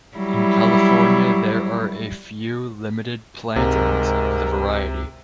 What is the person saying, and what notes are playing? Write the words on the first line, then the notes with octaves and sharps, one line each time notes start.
In California there are a few limited plantings of the variety.
F#3 G3 E4
C#2 G#2 C3 A#4